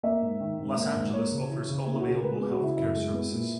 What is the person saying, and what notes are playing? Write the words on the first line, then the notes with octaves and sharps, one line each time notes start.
Los Angeles offers all available health care services.
A#3 E5
G#2
D#3
G#2
A#3
G#2
A#3 C#5
C#3
E3
C#3
A#3
E4
F#4
C#3 G#4
A#4
G#3 B4
B3 G#4
F#4
C#3 E4
F#2 E4
G#3
B3
A#2